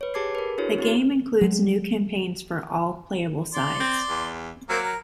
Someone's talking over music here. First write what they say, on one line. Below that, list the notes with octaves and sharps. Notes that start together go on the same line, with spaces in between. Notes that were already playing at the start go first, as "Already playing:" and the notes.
The game includes new campaigns for all playable sides.
B4 C#5
G4 G#4 A5 D6 G#6 C7
A#4 B4
D4 E4 F#4 G#4 C#5
C4 E4 F#4
F#3 G#3
D5 C6
C4
E2
F#3 A#3 C4 A#4
A#4